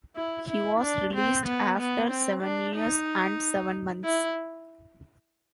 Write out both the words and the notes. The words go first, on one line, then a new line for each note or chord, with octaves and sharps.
He was released after seven years and seven months.
E4
E4
D4
C4
B3
B3
C4
D4
D#4
E4